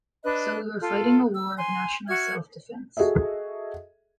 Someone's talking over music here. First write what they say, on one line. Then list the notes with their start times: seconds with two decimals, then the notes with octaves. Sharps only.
So we were fighting a war of national self-defence.
0.24 D4 B4 D#5 F#6
0.81 F4 A4
1.35 E6
1.58 G#5 C6
2.07 F#4 E5 F6 G#6
2.97 F#4 G#4 A4 D#5 E5